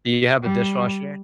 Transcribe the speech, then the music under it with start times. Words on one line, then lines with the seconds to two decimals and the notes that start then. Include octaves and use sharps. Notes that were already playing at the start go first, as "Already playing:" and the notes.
Do you have a dishwasher?
0.44 G3